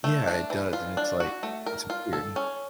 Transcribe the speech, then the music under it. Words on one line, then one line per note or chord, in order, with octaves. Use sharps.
Yeah. It does. And it's, like, it's weird.
A3
D4
E3
F4
D4
F#4
A3
A#4
F4
A4
C#4